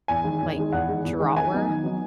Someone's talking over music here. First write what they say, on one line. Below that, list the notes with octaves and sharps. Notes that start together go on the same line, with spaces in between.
like, drawer?
E2 G#5
D#3 G#3
E2
D#3 G#3
E2 F#5
D#3 G#3
E2
D#3 G#3
D#3 G#5
F#3 B3 D#4
D#3
F#3 B3 D#4